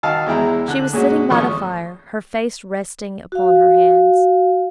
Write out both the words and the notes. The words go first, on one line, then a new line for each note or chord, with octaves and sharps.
She was sitting by the fire, her face resting upon her hands.
D#3 F#4 D#5 F5 A5 E6
E2 G#3 E4 G5 A#5
D3 F#6
A#2 G#3 C#4 F#4 G#4
G#1 F3 A3 A4 C#6 D#6
F#4 F5